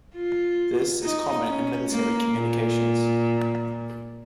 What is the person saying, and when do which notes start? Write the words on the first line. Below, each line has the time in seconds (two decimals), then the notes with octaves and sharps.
This is common in military communications.
0.15 F4
1.03 D#4
1.46 C#4
1.90 A#3
2.34 A#2